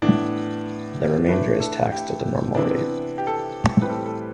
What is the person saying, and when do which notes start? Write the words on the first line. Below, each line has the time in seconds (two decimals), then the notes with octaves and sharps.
The remainder is taxed at the normal rate.
0.02 A2 E3 B3 D4
1.28 E3 A3 D4 B4
1.60 A4
1.92 G4
2.55 C3 E3 B3 D4
3.18 G4
3.27 A4
3.36 G4
3.81 A2 E3 G3 C4 B4
3.90 A4
3.97 G4
4.06 A4